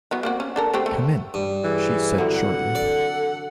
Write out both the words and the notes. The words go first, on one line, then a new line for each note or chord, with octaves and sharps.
"Come in," she said shortly.
F#3 B3 E4
A#3 C4 F#4
C#4
D4 A4 A#4
A3 C4 G4
A3
G2
E3 G#4
D3 F#3 C4 E4
F#5
A4 D5